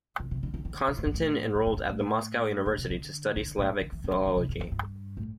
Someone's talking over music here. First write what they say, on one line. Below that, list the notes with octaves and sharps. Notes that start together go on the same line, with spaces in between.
Konstantin enrolled at the Moscow University to study Slavic philology.
C3
C3
D3
D3
D3
C3
A2
G2
A2
G2
A2
G2
A2
A2
C3
D3
D3
A2
D3
E3
D3
D3
D3
C3
G2
E2
G2
A2